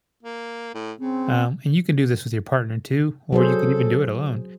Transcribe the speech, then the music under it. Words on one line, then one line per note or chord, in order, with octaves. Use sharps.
um and you can do this with your partner too, or you can even do it alone,
A#3
A2
C#3 C4
F#3 G#4 A4 C5